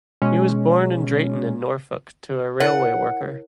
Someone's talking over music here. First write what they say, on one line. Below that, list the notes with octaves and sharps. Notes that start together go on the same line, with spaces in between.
He was born in Drayton in Norfolk to a railway worker.
B2 G#3 C#4
E4 A#4 C#5 F#5